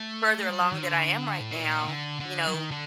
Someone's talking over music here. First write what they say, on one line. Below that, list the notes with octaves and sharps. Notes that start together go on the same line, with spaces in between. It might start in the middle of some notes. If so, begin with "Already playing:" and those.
further along than I am right now, you know,
Already playing: A3
G3
F#3
D#3
D3
A2
A#2
D3
D3
F#3
D#3
D3